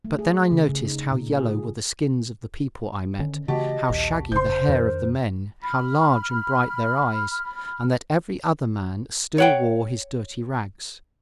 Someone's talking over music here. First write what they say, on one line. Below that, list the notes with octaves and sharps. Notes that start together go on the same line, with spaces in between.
But then I noticed how yellow were the skins of the people I met, how shaggy the hair of the men, how large and bright their eyes, and that every other man still wore his dirty rags.
A3
G#4
C#3
C#3
D#4
A#2
G#4
D3 D#3 C#4
C#3 E3 A3 F#4 G4 D#5 A5
A#1 D#2
F1 C#3 C5 C6 G6
F2 D#3 D4 A#4
B5 F6
C#5 F#5 G5